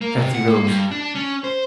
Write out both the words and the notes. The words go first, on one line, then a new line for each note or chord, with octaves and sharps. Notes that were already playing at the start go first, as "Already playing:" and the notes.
Cathy rose.
A#3
C3
F#5
A#3
G2
D4
C#4
C5